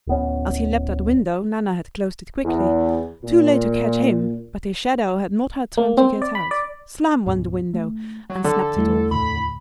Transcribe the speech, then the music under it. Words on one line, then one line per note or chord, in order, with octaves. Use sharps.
As he leapt at the window Nana had closed it quickly, too late to catch him, but his shadow had not had time to get out; slam went the window and snapped it off.
D1 B3 C#4
E2
A#2
A#3
C4
D5
B5
D5
C#2 G#2 B2
A3
F#3
D3 F3 A4
E2 G3 A3 E4
D2 A2 B5